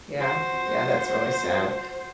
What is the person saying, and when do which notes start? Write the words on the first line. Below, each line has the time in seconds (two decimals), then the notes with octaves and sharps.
Yeah. Yeah, that's really sad,
0.19 F#4 C5